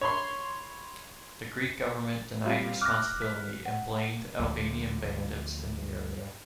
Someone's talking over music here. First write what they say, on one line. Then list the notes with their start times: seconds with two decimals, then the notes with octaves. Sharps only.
The Greek government denied responsibility and blamed Albanian bandits in the area.
0.01 C#5 B5 C6
2.45 G3 C4 F4
2.82 D6 F6 F#6 A#6
3.22 B6
3.66 F#5
4.40 D2 D3 F3